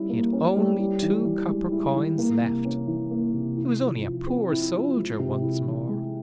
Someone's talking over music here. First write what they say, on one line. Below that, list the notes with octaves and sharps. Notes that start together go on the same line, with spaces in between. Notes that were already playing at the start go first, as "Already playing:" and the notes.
He had only two copper coins left: he was only a poor soldier once more.
Already playing: G3 C#4 E4
A#3
C#4
G3
E4
E3
E3
G#3
E4
E3
A#3
C3
C#4
E3
A#3
C3
E4
F3
F3
C4
E4
F3
G#3
C3
E4
E3
G#3